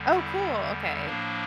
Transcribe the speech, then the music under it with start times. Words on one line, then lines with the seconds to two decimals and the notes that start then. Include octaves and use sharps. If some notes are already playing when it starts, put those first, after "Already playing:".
Oh, cool, okay.
Already playing: E2 D3 G3
0.16 E4
1.07 A2 F3 A#3 D4